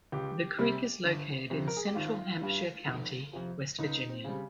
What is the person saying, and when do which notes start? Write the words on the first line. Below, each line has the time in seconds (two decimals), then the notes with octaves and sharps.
The creek is located in central Hampshire County, West Virginia.
0.12 C#2 G4
0.59 C3 G3
1.04 G1
1.50 F2 C3
1.67 A#4
1.77 G#4
1.87 G4
1.95 G#1 F4
2.41 G2 G3
2.88 F1
3.33 F2 C3 F3
3.79 C#2 D#4
4.09 C4
4.24 C#3 G3